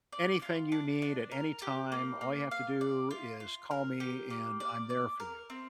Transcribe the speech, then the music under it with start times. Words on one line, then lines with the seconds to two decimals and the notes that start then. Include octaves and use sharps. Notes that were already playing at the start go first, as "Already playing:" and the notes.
anything you need at any time, all you have to do is call me and I'm there for you,"
0.12 D5
0.42 F4
0.72 D4
1.02 D4
1.31 A#4
1.62 G4
1.92 A#3
2.21 A#3
2.51 F5
2.81 D5
3.11 F4
3.40 F4
3.71 A#4
4.00 G4
4.30 A#3
4.60 D5
4.90 D5
5.20 A#4
5.50 C4